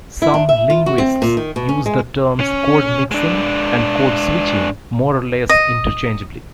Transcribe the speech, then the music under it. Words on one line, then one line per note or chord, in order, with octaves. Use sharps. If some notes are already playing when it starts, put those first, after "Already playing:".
Some linguists use the terms code-mixing and code-switching more or less interchangeably.
E4
D4
E5
F4
F#4
C4
A#2
D#3
B2
C#4
G#3
C#4
G#3 D4
D#5